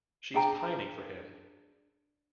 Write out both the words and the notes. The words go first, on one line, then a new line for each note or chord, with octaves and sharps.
She's pining for him.
D4 G#4 G5 A#5